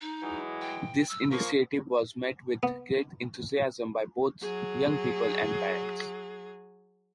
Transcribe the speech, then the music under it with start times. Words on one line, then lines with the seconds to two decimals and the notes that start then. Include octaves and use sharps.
This initiative was met with great enthusiasm by both young people and parents.
0.01 D#4
0.22 E3 F#3 G#3
0.61 G5
1.09 E6
1.31 A#2 F3 A#3 C#6
2.63 B3
4.42 F#3 G#4